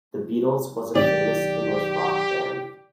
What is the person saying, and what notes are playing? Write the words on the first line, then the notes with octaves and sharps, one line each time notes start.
The Beatles was a famous English rock band.
B1 D#3 G4 D5